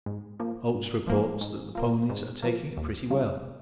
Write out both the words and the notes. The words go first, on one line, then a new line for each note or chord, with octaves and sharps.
Oates reports that the ponies are taking it pretty well.
G#2
F3 A#3
G#2
F3 A#3
G#2
F3 A#3
G#2
F3 A#3
D#2
C#3 G3 C#4 F4